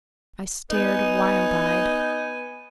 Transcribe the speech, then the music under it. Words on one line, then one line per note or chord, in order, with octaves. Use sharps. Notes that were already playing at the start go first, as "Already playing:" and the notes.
I stared, wild-eyed.
B3 D#4 G#5